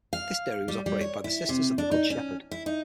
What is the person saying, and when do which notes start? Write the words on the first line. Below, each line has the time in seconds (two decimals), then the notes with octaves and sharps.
This dairy was operated by the Sisters of the Good Shepherd.
0.13 F5
0.68 G3
0.86 G3
1.01 C#5
1.24 E4
1.49 C3
1.78 D4
1.91 D#4
2.10 C#4
2.51 E4
2.66 D#4